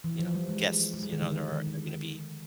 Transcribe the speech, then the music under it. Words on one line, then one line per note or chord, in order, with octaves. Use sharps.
you know, guests, you know, that are are gonna be
E3
F3
G3
G#3
G#3
G3
D#3
D3
D#3
D3